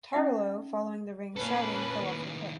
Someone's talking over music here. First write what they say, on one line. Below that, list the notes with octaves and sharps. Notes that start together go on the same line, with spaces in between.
Tartalo, following the ring's shouting, fell off the cliff.
C#4 D#4 D#5 E5 F#5
A#2 A#3 C#4 A4 B4
A2 D#3